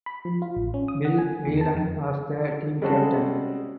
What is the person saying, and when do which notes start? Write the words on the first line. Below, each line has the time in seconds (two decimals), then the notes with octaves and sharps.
Bill Whelan was the team captain.
0.06 B5
0.25 F3
0.42 F4
0.57 A1
0.74 C#4
0.88 D#6
1.05 F#5
1.18 G#5
1.47 E2
1.61 A5
1.75 F2
2.82 G3 G#3 C4 C#4 F#4 A4